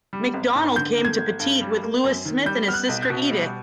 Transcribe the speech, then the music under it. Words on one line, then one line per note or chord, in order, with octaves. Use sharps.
MacDonald came to Petite with Lewis Smith and his sister Edith.
G3
G#1
G#2
D3 G6
G1
G#6
G1
G2
G3
A#3
F#2
D#3
G3 G6
B3 F6
F#6
B1
G6
B2
G3